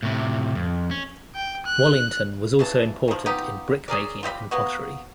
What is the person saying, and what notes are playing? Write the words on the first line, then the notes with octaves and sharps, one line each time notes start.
Wallington was also important in brickmaking and pottery.
A2 C3
F2
C#4
G5
F#6
C#3 E3 A5
D#3 F3
B3 D#4 F4 G4
C#4 G#4 A#4 D5
F4 G4 D#5 B5
A#3 B3 F#4